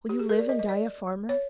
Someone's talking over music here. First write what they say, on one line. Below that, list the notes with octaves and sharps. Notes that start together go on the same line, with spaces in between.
Will you live and die a farmer?
G4
G#4
A#4
D5
D#5
D#5
D5
C#5